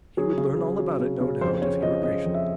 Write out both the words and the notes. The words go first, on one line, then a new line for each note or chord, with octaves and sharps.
He would learn all about it, no doubt, if he were patient.
F#3 G#4
C#3
F#3
F#3
C#3
C#3
F2 C5
C#3 C#5
F3 D#5
C#3 D#5
F2
E5